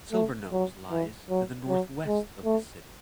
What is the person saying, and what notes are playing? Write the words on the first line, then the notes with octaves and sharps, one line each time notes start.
Silverknowes lies to the northwest of the city.
A3
F#3
E3
F#3
F#3
G#3
A3